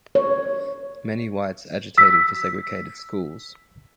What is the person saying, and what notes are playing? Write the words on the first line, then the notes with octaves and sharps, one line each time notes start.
Many whites agitated for segregated schools.
C#5
E6 B6